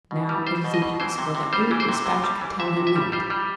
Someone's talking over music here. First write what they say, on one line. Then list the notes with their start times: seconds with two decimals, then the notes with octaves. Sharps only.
Now, it is impossible that any despatch could tell him that.
0.11 B2
0.29 G3
0.47 G3 C5
0.64 B2
0.74 D#5
0.82 B2
1.00 E3 C5
1.18 C3
1.35 C3
1.53 G3 C5
1.71 E3
1.80 C5
1.89 C3
2.06 C3
2.23 G3
2.41 E3
2.59 C3 E5
2.77 C3
2.87 E5
2.96 G3
3.12 G3 C5
3.30 G3